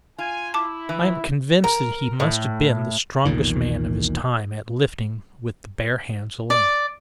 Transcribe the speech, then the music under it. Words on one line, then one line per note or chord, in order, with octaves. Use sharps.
I am convinced that he must have been the strongest man of his time at lifting with the bare hands alone.
F4 G#5
E4 A5 D6
E3
A#4
A2
B1 E2 A#2 D#3
D5